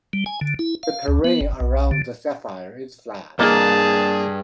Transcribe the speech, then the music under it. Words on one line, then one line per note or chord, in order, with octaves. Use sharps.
The terrain around the Sapphire is flat.
G3
G#5
D3
E4
F5
D2
B3
G1
B1
D3
G2 A#3 D4 G#4 D#5 A5